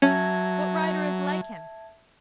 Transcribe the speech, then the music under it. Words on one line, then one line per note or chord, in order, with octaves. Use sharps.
What rider is like him?
F#3 C#4 E5 A5 G#6